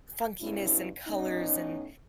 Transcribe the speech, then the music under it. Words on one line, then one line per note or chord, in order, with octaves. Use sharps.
funkiness and colors, and
G2 B2 C#4 D4 E4
A2 B3 C#4 D#4